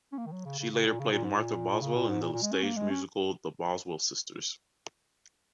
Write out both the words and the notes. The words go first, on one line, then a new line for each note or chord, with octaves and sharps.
She later played Martha Boswell in the stage musical "The Boswell Sisters".
C#4
A#3
D#3
F#3
C#3
C#3
C#3
A#2
C#3
A#2
G#2
A#2
A#2
C#3
A#2
G#2
A#2
A#2
G#3
C#4
A#3
G#3
C#4